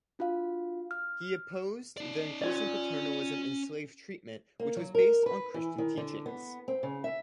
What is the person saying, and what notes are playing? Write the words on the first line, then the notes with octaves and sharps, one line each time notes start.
He opposed the increasing paternalism in slave treatment which was based on Christian teachings.
D4 F4 F#4 F5
F6
D#4 D5
C#4 F4 C#5 D5 G#5
A#3
F#3
A#4
B4
E3
D#3
D3
B3
C4
C#3
E5